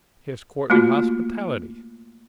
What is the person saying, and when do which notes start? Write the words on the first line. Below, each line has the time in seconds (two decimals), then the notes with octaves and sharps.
His courtly hospitality?
0.70 A3 A#3 F4 F#4